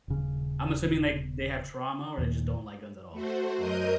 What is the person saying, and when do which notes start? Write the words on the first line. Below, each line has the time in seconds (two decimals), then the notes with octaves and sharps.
I'm assuming, like, they have trauma or they just don't like guns at all.
0.08 D#1 C#3
2.18 D#2 A#2
3.12 A3 F#4 C5
3.57 F#2 F#3 A#4 D#5 D#6 G6